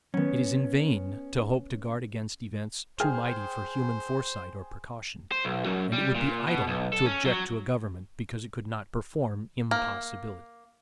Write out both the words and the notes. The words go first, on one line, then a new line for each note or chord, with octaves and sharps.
It is in vain to hope to guard against events too mighty for human foresight or precaution, and it would be idle to object to a government because it could not perform impossibilities.
D#3 F#3 B3 C#4
G#4 C5 G5 F6
C5
B1
F#2
G3
A#2
B2
B1
A4
C#4
F#3
A#3